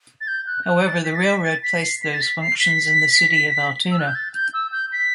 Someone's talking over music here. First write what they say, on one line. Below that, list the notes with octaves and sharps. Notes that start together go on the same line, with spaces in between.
However, the railroad placed those functions in the city of Altoona.
A6
G6
F#6
F#6
A6
B6
A6
B6
A6
B6
C7
B6
A6
B6
C7
B6
E6
F#6
G6
A6
G6
E6
G6
B6